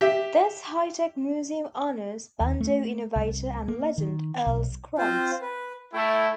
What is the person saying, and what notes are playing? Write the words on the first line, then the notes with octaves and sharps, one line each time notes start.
This high tech museum honors banjo innovator and legend Earl Scruggs.
G4 E5
D#2
A3
C2
A#3
D#3
B1
C4 F4 C5
B4
A3 E4 G5